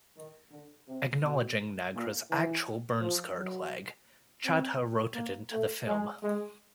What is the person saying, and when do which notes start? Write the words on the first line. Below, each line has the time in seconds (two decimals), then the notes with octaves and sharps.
Acknowledging Nagra's actual burn-scarred leg, Chadha wrote it into the film.
0.17 D#3
0.51 D3
0.88 C3
1.23 B2
1.94 A#2
2.30 E3
3.01 F3
3.37 F#3
4.44 C4
5.14 A#3
5.51 A3
5.87 G#3
6.22 G#3